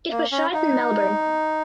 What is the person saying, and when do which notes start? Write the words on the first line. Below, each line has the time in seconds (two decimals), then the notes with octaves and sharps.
It was shot in Melbourne.
0.11 A#3
0.32 C#4
0.54 D#4